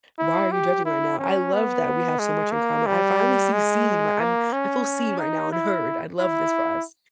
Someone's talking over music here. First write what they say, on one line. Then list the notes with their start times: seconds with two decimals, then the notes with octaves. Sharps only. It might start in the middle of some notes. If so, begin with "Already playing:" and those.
Why are you judging right now?” I love that we have so much in common. I finally see seen where I'm I feel seen right now and heard. I'd love this for us,
0.19 E4
0.52 G4
0.85 E4
1.19 C#4
1.53 B3
2.19 G#3
2.52 A#3
2.86 G3
3.53 G#3
4.20 A#3
4.53 C#4
5.19 D#4
5.52 E4
6.19 E4